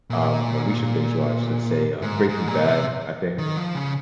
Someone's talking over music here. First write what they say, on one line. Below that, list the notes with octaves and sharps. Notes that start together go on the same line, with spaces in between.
um or we should binge watch, let's say, uh, Breaking Bad, I think.
A#2
G#2
G#2
A#2
C3
D#3
F3
C#3